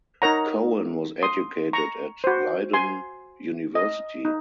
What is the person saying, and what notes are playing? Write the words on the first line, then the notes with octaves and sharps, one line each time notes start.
Cohen was educated at Leiden University.
D#4 A#4 C#5 F#5 A#5
C6 D#6
A#5 C#6
F#4 C5
G#5 C6
D#5
D#4